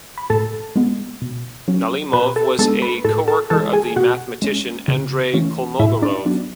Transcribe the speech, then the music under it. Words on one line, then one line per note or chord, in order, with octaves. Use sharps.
Nalimov was a co-worker of the mathematician Andrey Kolmogorov.
B5
A2 A4 A5
G#3 B3
B2
F#3 C#4
B2 B4 B5
A4 A5
G#3 B3 D4 A4 A5
B4 B5
A2 A4 A5
A4 A5
E3 G#3 A4 A5
G#4 G#5
B2 F#4 F#5
G#3 C#4
C#3
E3 A3 C#4
A2 E4 E5
D4 D5
F#3 B3 D4